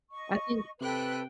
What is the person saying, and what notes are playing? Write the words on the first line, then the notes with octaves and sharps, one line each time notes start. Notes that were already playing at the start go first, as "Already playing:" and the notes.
I think
D#5 C#6
C3 A4 B4 G5 F#6